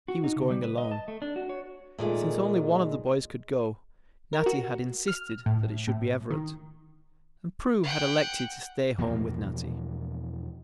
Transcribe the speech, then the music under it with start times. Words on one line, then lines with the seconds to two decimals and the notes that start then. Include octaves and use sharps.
He was going alone. Since only one of the boys could go, Natty had insisted that it should be Everett, and Prue had elected to stay home with Natty.
0.08 F#4
0.24 D#4
0.36 C#3
0.50 G3
0.62 B4
0.78 D#5
0.91 A5
1.08 A3
1.22 D4
1.36 F#4
1.49 C#5
1.98 A#2 D#3 G#3 A3
4.33 A#4
4.46 F#4
5.08 F6
5.46 A2
5.87 A2
6.31 D#3
7.83 F#5 G5
8.98 E2 B2 F3 A#3